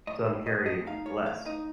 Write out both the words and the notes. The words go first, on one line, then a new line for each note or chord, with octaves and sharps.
so I'm carrying less,
A2 D#5
A2
A2 D#5
A3 D#5
D#4 F5
A2 C#5
A2 F5
D#4 D#5